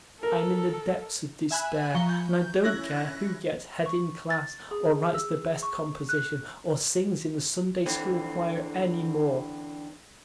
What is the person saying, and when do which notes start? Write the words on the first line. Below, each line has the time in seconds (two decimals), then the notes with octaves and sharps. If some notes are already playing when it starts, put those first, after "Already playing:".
I'm in the depths of despair and I don't care who gets head in class or writes the best composition or sings in the Sunday-school choir any more.
0.23 A4 A#4
1.51 E5 G#5 B5 F#6
1.95 F3 A#5 C#6 G7
2.09 G6
2.64 C#4 E4 F#6 G#6 A#6
3.86 C#6
4.30 A6
4.71 G#4
5.14 E6
5.63 C#6
6.09 F#6
7.86 D3 E3 C4